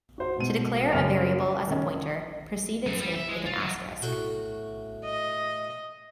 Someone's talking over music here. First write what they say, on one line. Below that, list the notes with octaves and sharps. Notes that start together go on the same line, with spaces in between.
To declare a variable as a pointer, precede its name with an asterisk.
F#4 C5
G#2 B2 D#7
F#2 C#3 A#3 G5 F6 F7
D#3 C#4
F#2
G3
E5
G#3
F4
F#3
A2 F#4 G5
D#5